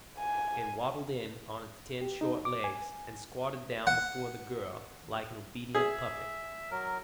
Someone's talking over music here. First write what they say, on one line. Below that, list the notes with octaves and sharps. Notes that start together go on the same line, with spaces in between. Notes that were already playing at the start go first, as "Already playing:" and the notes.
It waddled in on its ten short legs, and squatted down before the girl like an obedient puppy.
G#5
G4
D#4
D6
G#5
F#5
G#4 E5
F#3 A#4